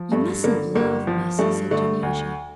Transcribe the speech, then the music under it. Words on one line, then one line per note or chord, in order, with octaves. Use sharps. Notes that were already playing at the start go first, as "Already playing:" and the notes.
"You mustn't laugh, Miss," said Dunyasha.
Already playing: F3
G2 A3
D3 A#3
G1 A#3
F3
G2 A3
D3 A3
D2